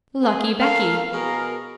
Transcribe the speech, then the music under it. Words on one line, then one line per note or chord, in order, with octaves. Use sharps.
'Lucky Becky!
A#3 B3 G#4
A4 A#4 F5
B2 G#4 A#4